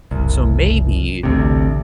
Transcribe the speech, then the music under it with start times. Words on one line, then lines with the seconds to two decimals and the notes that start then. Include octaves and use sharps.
So maybe
0.11 F#1 C2
1.23 A1 D2 C3